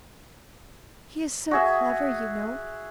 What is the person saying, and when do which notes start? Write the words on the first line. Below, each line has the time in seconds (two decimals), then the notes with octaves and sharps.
He is so clever, you know.
1.51 F#4 G#4 E5